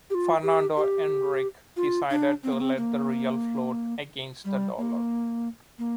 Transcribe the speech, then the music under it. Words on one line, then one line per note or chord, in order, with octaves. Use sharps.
Fernando Henrique decided to let the Real float against the dollar.
G4
F4
G4
G4
F4
D4
C4
A#3
C4
A#3
G3
A#3
A#3